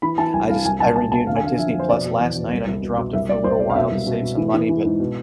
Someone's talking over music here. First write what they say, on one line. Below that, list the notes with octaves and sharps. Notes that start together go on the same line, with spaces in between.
I just I renewed my Disney+ last night, I had dropped it for a little while to save some money, but
E3 B5
E3 A5
C2 G#5
C2 F5
C2 G#5
C2 A5
B2 A5
B2 A5
D3 F5
G#5
D3 F5
F2 E5
F2
C5
B2 D5
B2
E2
B2
C2
C2
B2
B2
C2 E5
C2 D5
C2 C5
B2 D5
F5
B2 E5
C2
B2
B2
E3
E3
E3
G#2
B2